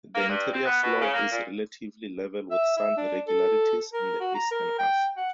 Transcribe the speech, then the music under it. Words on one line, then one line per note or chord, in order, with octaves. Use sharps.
The interior floor is relatively level with some irregularities in the eastern half.
A#3
G2
C4
B3
B2
C#3
A#3
A#2
E5
E5
D4
A4
A#4
F#4
A#5
A#4
G5
F#5